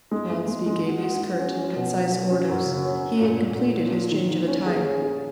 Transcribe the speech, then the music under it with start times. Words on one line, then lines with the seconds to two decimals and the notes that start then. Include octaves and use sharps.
Whilst he gave these curt and concise orders, he had completed his change of attire.
0.11 G#3
0.30 G#3
0.48 G#3
0.66 G#3
0.85 F#4
1.02 F#4
1.21 F#4
1.39 C#4
1.58 C#4
1.76 B2
1.94 F#3
2.12 F#3
2.31 C#4
2.49 F#2
2.66 C#3
2.85 C#4
3.03 C#4
3.21 A#2
3.39 A#2
3.58 A#2
3.75 F4
3.93 F4
4.11 D#3
4.30 D#3
4.48 C#4
4.66 G#4
4.84 C#4
5.02 G#4